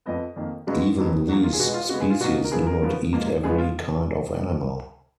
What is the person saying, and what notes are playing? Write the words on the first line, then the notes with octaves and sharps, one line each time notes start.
Even these species do not eat every kind of animal.
F2 F3 B3 D#5
F2 D#3 A#3
F#2 C#3 G#3 B3 F#4
F2 D#3 F#3 B3
F#2 F3 A#3 F#4
F4
G#4
B2 G#3 B3 F#4
F4
C#3 G#3 B3 F#4
G#4
F4
B2 A#3 F#4
A#4
F#2 F3 B3 G#4
A#4
C#3 F3 B3
G#2 F3 A#3
C#3 F3 G#3 B3 G#4
F4